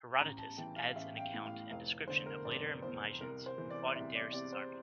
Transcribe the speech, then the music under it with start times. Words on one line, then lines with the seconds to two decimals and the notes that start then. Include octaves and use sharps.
Herodotus adds an account and description of later Mysians who fought in Darius' army.
0.20 A1 A#5
0.38 A5
0.57 E3 G5
0.76 F5
0.95 A1 E5
1.17 G5
1.21 F5
1.33 A2
1.46 F5
1.70 F1 F5
2.08 D3 C5
2.26 A#4
2.45 F1 D5
2.82 E2 C5
3.21 C2 A#4
3.46 C5
3.58 E3
3.70 D5
3.95 C2 E5
4.15 D5
4.33 C3 D5
4.53 C5